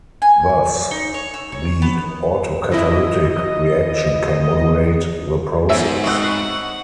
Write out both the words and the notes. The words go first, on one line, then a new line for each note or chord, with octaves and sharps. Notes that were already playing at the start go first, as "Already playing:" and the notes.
Thus, the autocatalytic reaction can modulate the process.
G#5
D#4
C#5
E6
C#5
B3
F2 E4 D#5
G#2 A3 B3 C#4 F#4 C5 E5
C4 D#5 F#5 C#6 E6 F#6